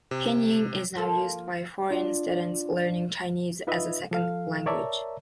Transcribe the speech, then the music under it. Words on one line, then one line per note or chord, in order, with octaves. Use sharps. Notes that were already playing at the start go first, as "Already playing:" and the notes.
Pinyin is now used by foreign students learning Chinese as a second language.
C3
F3 A#3 A4
D4 F4 D5
D#4 F4 B4 D#5 E5
F3 A4 F5
A#4 C#5 D5 E5 A5 A#5